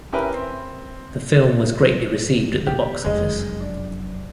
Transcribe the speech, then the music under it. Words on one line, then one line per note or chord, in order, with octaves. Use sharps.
The film was greatly received at the box office.
C#4 E4 G4 A#4 B4
C4
F#1 A2
A#1 B2 G4
F1 F#2 G#3 D#5
D4